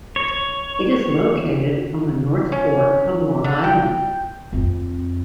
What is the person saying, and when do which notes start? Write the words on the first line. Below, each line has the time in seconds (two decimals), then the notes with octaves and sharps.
It is located on the north fork of Long Island.
0.16 C#5
2.52 C#4
3.44 D3
3.64 G5
4.53 F2 C4